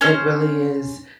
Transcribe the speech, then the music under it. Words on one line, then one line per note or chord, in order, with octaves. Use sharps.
It really is.
C#4 C5 F6